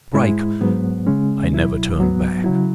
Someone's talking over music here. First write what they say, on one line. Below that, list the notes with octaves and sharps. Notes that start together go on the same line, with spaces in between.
Strike!' I never turned back.
G#2 G#3 E4
G#2 F#3 B3
C#3 G#3 C#4
C#2 B2 F#3 E4
G#2 F#3 B3
C#3 F#3 E4